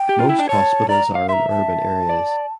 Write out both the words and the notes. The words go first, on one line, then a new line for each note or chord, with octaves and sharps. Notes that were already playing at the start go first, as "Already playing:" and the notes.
Most hospitals are in urban areas.
Already playing: G5
G4
F4
E4
D4
C#5 A5
D5 A#5
F5
E5 A#5 C6
A5
D5